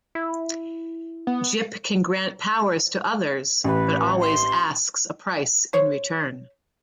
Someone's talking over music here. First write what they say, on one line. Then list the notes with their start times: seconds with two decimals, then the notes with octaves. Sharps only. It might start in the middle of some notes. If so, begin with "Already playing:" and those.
Jip can grant powers to others, but always asks a price in return.
0.15 E4
1.27 B3
3.64 A1 B4
4.19 C6
5.73 C5 C#5